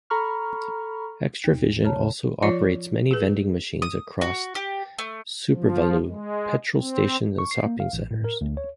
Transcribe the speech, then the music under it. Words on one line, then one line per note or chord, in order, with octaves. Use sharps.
Xtra-Vision also operates many vending machines across SuperValu, petrol stations and shopping centres.
A4 A#5 B5 C#6 F6
D#2
D#2 C#3 C#5 A5 A#5
F3 F4 C#5 D5
G#4 B4
D#6
F#4
G4
A3
F3
G#3
C4
C#6
C7
A#3
F5
A1
A2
A#4
D2
C#5